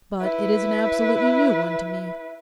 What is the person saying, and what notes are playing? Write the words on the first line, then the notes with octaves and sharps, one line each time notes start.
'But it is an absolutely new one to me.
E4 B4